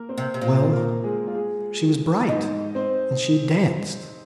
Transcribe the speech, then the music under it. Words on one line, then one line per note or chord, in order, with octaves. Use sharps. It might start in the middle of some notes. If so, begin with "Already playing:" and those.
Well, she was bright; and she danced.
Already playing: A#3 A#4
C4 C5
C3
C3
A#2 C4 C5
A#3 A#4
G#3 G#4
F4
G#3 G#4
G#2 D#4 D#5
C4 C5